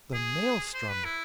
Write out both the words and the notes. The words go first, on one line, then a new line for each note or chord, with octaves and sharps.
The Maelstrom!
G#4
C5
B4
E4